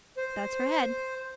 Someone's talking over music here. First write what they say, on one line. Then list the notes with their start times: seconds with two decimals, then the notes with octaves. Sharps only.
That's her head.'
0.17 C5